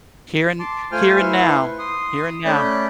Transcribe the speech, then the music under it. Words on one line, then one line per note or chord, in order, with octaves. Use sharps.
Here and Here and Now, Here and Now.
A5 C6 D6
A3 F4 C5 G#5 F6 G6
E4 B4 C6 C#6
C6 D#6
A3 C#4 D5 B5 F#6 G6